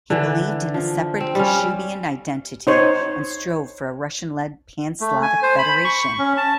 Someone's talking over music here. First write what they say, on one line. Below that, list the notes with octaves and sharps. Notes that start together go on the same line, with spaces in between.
He believed in a separate Kashubian identity and strove for a Russian-led pan-Slavic federation.
D3 E3
F3
C4
G3 C#4
D#4 C5 C#5
A3
G#5
C5
B5
C#6
C#4
A5